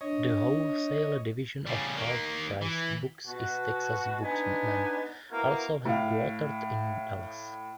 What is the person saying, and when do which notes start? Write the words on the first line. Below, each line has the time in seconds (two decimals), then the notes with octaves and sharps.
The wholesale division of Half Price Books is Texas Bookman, also headquartered in Dallas.
0.01 D4 C#5 D#5
1.66 C#3 G3
1.97 D#3 A#3
2.61 E3
3.28 B2 F#4
4.22 B3 D4 D#4 G#5
5.31 A#3 B3 E4 F#4 A#4
5.85 A2 F5